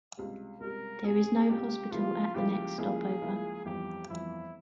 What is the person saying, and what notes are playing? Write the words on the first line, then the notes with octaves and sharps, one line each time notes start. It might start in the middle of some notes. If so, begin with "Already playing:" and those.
There is no hospital at the next stopover.
C#2 C3 G3
C#2 C3 G3 A#4
C#2 C3 G3 G#4
C#2 C3 G3 G4
C#2 C#3 F3 A#3 E4 F4
C#2 C#3 F3 A#3 E4 G4
C#2 C#3 F3 A#3 E4 G#4
C#2 C#3 F3 A#3 E4
G1 F2 E3 G4
G1 F2 E3 E4